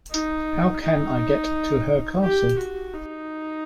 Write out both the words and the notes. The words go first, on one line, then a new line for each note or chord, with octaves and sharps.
How can I get to her castle?
D#4
D#4
G4
F#4
D#4